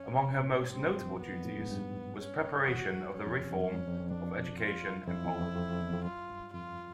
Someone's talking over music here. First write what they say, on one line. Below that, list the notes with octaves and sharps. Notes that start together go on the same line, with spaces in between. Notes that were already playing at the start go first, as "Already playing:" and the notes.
Among her most notable duties was preparation of the reform of education in Poland.
Already playing: F2 C#4
A#2
A2
G#2
G2 C4
F#2
F2
E2 B3
F2
A2
G#2
G2
C#4
E2 F#4
F2 C#4
F2
E2
F2
F#2 C#4
F2
F2
F2
F2 D4
F4
F2 E4
E2
F2
F2
F2
E2
F2
F#2 F4
G2
F2 F4